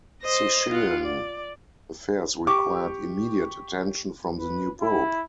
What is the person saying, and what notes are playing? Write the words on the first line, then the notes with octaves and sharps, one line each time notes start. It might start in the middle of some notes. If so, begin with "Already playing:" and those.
Sicilian affairs required immediate attention from the new Pope.
C5 D#5
F4 F#5
D5
G4 C#6 D6
B4
E4